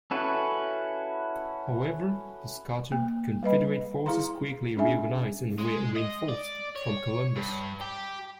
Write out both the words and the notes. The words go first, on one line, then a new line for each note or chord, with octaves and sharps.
However, the scattered Confederate forces quickly reorganized and were reinforced from Columbus.
C#4 E4 F#4 A4 B4
A#3
G3 B4 D#5 B5
E4 G#4 F5 A#5 C6
C#4 D4 G#4 E5 G#5
G#3
D#5
D5
C#5
G2
G4